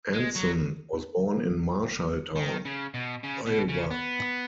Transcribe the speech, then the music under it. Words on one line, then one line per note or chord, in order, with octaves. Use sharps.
Anson was born in Marshalltown, Iowa.
G#3
F#3
D#3
C#3
B2
C#3
B2
C#3
B3